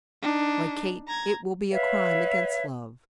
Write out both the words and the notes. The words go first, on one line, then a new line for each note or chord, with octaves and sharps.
Why, Kate, it will be a crime against Love.
D4 D#4
A#5 G#6
B4 C#5 E5 F5